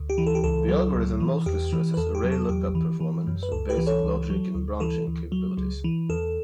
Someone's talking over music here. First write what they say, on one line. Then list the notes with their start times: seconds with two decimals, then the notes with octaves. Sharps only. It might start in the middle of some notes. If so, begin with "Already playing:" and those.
The algorithm mostly stresses array lookup performance and basic logic and branching capabilities.
Already playing: D2
0.10 G4
0.18 E3
0.27 A4
0.35 G4
0.44 C#2 A4
0.68 F#3
0.94 C#2
1.20 E3
1.46 E2 G4
1.73 E3
1.94 B4
1.97 E2 A4
2.15 G4
2.24 F#3
2.32 A4
2.49 E2 G4
2.75 E3
3.00 E3
3.27 F#2
3.43 B4
3.52 C#2 A4
3.69 G4 B4
3.77 E3
3.87 A4 C#5
4.03 C#2
4.30 F#3
4.55 D2
4.80 E3 A4
5.07 D2
5.32 F#3
5.57 C#2
5.84 E3
6.09 E2 A4